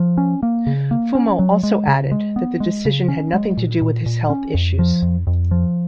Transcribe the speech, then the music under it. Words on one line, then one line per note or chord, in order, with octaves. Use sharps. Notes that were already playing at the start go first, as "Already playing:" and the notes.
Fumo also added that the decision had nothing to do with his health issues.
Already playing: F3
C#4
A#3
C#3
A#3
C#4
F#3
G#3
C#3
G#3
B3
G#3
C#3
C#4
G#3
A#2
A#2
A#2
C#4
F2
F3
F2
F2
F3